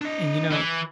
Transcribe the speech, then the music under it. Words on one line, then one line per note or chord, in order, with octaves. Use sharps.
and, you know
D4 D#5
E3